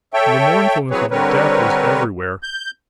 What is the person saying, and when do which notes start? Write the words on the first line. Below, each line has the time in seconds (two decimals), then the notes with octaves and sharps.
The mournfulness of death was everywhere.
0.14 A4 C#5 E5 G5
0.91 E3 F#3 C4 G#4 B4 C#5
1.11 D3 G3 C4 A#4 B4 C#5
2.43 G6